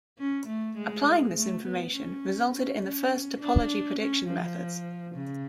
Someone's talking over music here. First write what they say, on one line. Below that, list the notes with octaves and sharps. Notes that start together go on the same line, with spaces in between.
Applying this information resulted in the first topology prediction methods.
C#4
A3
G#3
A3
B3
C#4
C#4
C#4
D4
C#4
F3
C#3